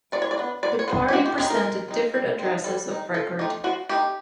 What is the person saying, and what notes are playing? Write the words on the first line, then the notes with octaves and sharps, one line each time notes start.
The party presented different addresses of record.
F#3 D5
C#5
D5
B3 D4
F#3 D5
C#5
B3 D4 C5
G4
G#3 F#4
G4
C4 D#4 G#4
A#4
G#3
C4 D#4
G3
C4 D#4
G3 A4
C4 D#4
F3 A4
A3 C4 D#4 G4
F3 F#4
A3 C4 D#4 G4